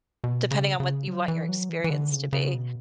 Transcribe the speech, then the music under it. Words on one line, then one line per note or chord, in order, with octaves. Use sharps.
depending on what you want your experience to be.
B2
C#3
C#3
F#3
E3
F#3
E3
E3
D3
C#3
C#3
B2